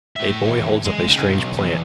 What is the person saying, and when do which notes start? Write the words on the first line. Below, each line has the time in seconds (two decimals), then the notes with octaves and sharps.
A boy holds up a strange plant.
0.16 A2 E5
0.45 D#2 E3
0.85 G#3
1.07 C#3 D#4
1.28 B1
1.57 E2